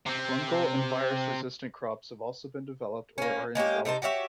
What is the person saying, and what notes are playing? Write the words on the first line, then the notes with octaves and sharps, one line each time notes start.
Fungal and virus resistant crops have also being developed or are in development.
C3 C4
A#3 C#4
G#3 A#3 C#4 G4
C3 D#4 C5 A5
F#4 G4 C#5 E5